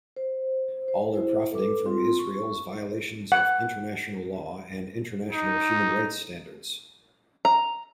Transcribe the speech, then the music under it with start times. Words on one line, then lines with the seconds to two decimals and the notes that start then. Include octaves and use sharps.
All are profiting from Israel's violations of international law and international human rights standards.
0.16 C5
0.88 C5
1.14 E4 C5
1.52 A4 B4 D6
1.86 C4 F4 C6
2.19 C#6
3.32 F#5
5.33 D#4
7.45 A#5